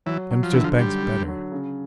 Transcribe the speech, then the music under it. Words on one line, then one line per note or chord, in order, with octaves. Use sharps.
"Dempster's Bank's better."
E3 F#3
F#3
F3
D3 E3
F3
D3 G3
D3
F#3
C#3